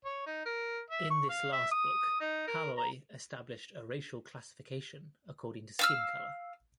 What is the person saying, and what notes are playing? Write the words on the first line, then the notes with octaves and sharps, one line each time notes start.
In this last book, Halloy established a racial classification according to skin colour.
C#5
D#4
A#4
E5
C#6
F5
E5
D#6
D#4
A#4
A#5
F5 E6 F6